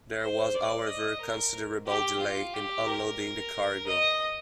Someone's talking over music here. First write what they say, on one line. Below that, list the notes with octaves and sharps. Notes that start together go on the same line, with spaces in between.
There was, however, considerable delay in unloading the cargo.
C5
D5
D#5
A#4
G4
F4
G4
A#4
D#5